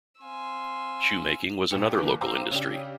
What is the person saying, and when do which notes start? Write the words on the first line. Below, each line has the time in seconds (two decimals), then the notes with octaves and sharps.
Shoemaking was another local industry.
0.21 C4 F5 G#5 C6 E6
1.71 A#1 A#2 G4 C#7
1.95 G1 E3 A#3 A#4 D6
2.21 C5 F5 G5 A#5 D6 E6
2.51 C#3 C#4 D4 G4